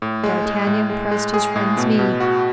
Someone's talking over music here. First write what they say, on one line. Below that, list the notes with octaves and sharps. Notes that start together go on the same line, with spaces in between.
D'Artagnan pressed his friend's knee.
A2
G#3
G#3
A2
G#3
G#3
G#4
A2
B2
B2
F#4